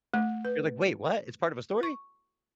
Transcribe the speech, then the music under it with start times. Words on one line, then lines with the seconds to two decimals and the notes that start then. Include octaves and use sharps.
You're like, "Wait, what? It's part of a story?
0.14 A3
0.45 B4
1.83 C#6